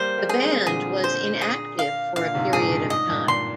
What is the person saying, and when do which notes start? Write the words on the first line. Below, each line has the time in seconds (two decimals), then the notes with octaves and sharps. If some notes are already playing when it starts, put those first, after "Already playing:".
The band was inactive for a period of time.
Already playing: G3 A#3 C5
0.18 G3 A#3
0.29 G#4
0.42 G#3 C4
0.67 A#2 D3 G#4
1.04 C5
1.41 G#4
1.79 F5
2.16 A#2 D3 F5
2.34 G#2 C3
2.53 G2 A#2 G#4
2.72 G2
2.90 G#2 D#5
3.09 G2 A#2
3.28 G2 A#2 C6